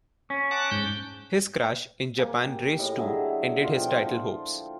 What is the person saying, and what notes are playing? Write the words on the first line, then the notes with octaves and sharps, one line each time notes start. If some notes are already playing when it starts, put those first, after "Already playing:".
His crash in Japan race two ended his title hopes.
C#4
F#5 A5 D6
G#2 G6
A#3 G#5
G4
A2 D#5
D3 F#3 G#4 E5
B2 F4
F3 G5